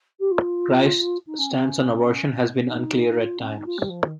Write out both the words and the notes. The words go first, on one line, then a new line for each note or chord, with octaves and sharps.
Crist's stance on abortion has been unclear at times.
G4
F4
D#4
C#4
C4
C#4
C#4
D#4
D#4
F4
C4
C#4
D#4
F4
G3
F3
D#3